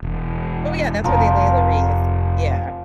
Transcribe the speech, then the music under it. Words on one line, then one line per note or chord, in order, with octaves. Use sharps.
oh, yeah, that's where they lay the wreath. Yeah.
E1
F1 F3 A#4